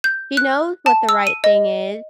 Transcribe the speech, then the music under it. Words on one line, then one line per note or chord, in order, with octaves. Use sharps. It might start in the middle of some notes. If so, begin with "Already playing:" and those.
she knows what the right thing is,
G6
F#6
A5
E6
D#7
D#5